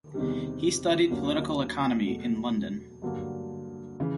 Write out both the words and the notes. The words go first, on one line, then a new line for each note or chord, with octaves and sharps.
He studied Political Economy in London.
E2 C3 D#3 G3
D#2 D3 F#3 A#3 C#4
E2 B2 F#3 A3
G2 D3 F#3 A#3 D4
C#3 E3